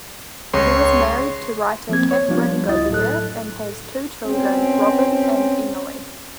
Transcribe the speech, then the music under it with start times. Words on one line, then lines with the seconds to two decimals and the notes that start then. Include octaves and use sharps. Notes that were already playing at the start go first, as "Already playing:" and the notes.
He was married to writer Katherine Govier, and has two children, Robin and Emily.
0.54 C#2 C#5 C6
1.89 F3 A#3 C4 G#6
2.11 C#5
2.28 F3 G3 B3 D4 F4
2.68 C#2 E4 D#5 A6
2.90 A2 F#3 A4 F#6
4.27 B2 C4 C#4